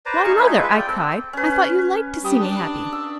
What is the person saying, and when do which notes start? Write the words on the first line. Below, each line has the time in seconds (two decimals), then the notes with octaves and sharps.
"Why, mother!" I cried, "I thought you liked to see me happy!"
0.06 B4 C5 D5 A#5
0.24 D#4 G#4 F5 C#6
0.37 A3 D#4 G#4
0.57 G#3 F4 B4 E5
0.71 D5 G5
0.87 C4 A4
1.33 C#4 B4
2.25 G3 D#6
2.39 D4
2.92 E6